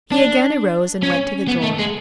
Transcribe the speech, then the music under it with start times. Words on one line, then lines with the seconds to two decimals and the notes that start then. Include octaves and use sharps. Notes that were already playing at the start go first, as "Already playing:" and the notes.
He again arose and went to the door.
0.12 D4
1.03 C#4
1.48 B3
1.64 A3
1.79 G#3